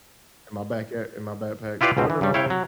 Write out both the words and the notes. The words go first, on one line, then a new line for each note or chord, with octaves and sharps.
in my back a in my backpack, put it on,
E4 F4 G4 B4 D5 F5
C#2 G#2 B2 C4
E3
G2 G3
E4 C#5 F5 G5
F#3